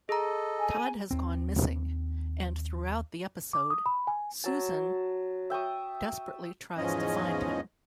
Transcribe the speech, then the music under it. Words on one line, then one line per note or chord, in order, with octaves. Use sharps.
Todd has gone missing, and throughout the episode, Susan desperately tries to find him.
G#4 A4 D#5 A#5
G#5
D#2 C4
D6
D#6
B5
G#5
F#3 A5
E5 G5 C#6 D#6
E2 G#2 F3 C#4 D#5